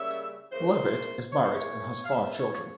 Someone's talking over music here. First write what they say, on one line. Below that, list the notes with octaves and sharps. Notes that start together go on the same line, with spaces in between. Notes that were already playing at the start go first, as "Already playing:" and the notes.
Leavitt is married and has five children.
Already playing: C#3 G3 A#3 C#4 E5
C#3 E3 A#3 C5
C#3 E3 A#3 C#5
C5
C#5
F5
G#2 F3 A#3 C#4 E5
C#5
C#5